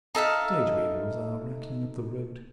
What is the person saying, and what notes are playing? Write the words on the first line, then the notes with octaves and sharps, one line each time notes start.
Stage-wheels are rattling up the road.
D#4 A4 E5 F5